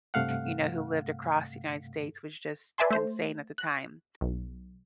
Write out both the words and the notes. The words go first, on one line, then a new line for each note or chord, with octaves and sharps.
you know, who lived across United States was just insane at the time.
G2 C3 A3 F5 F#5
B4 D5 E5 G#5 A5 C6
A3 C5
F#6
B1